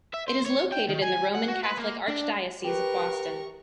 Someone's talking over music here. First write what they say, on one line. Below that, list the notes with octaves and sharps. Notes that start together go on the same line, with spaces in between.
It is located in the Roman Catholic Archdiocese of Boston.
E5
C5
C#5
G5
D#3
G#5
F#5
F#4
B4
A#3
D4
G4 A#4 B4 C#6